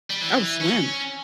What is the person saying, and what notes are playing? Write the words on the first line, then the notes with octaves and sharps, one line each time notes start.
Oh, swim.
G3
E3
C#4